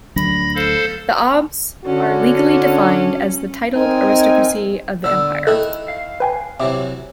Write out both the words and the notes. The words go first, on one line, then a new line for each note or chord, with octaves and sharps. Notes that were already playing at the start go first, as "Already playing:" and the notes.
The Abhs are legally defined as the titled aristocracy of the empire.
D2 F#3 D4 B5 A#6
A4 C5 F5
D3 C#4 D4 F#4
C4 D#4 A#4 G#5
D3 B3 E6
D#3 E4 A4 D#6 F#6
F5
B4 G5 G#5
C3 E3 F#3 E5 D6